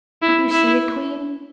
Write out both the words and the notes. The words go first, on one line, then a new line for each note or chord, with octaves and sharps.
Don't you see it, queen?
E4
E4